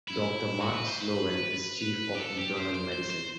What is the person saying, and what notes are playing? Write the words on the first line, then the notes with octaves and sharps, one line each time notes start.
Doctor Mark Sloan is Chief of Internal Medicine.
E4
F#4
B4
C5
B4
G4
A4
G4
C5
C5
C5
C5